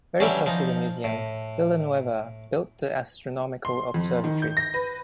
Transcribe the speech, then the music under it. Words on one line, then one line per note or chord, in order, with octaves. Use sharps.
Very close to the museum, Villanueva built the Astronomical Observatory.
D3 E3 F#3 G3 C#4
F3 D#4
A2
C6
F2
D#3
G6
A#6
B4